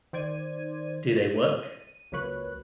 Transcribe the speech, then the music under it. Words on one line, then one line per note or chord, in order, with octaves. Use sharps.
Do They Work?
D#3 C5 D5 G#6 D#7
D#7
C#2 F#3 A#3 B4 C#5 F#6